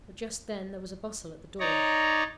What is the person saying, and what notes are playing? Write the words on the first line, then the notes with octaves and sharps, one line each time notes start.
But just then there was a bustle at the door.
D#4 C#5 D5 A#5